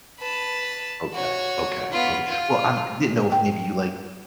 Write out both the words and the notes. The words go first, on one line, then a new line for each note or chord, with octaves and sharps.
Okay, okay, okay. Well, I'm didn't know if maybe you, like,
B4 A5
F#4 C#5
B3 F4
F4
G5